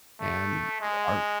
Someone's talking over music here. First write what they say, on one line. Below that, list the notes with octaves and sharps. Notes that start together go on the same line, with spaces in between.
and our
A3
G#3